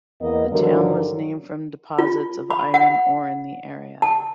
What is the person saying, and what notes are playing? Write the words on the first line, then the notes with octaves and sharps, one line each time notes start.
The town was named from deposits of iron ore in the area.
E2 A#3 B3 A#4 D#5
G2 D3 D#3 F3 F#3 A#4
F4
B5
F#5
A5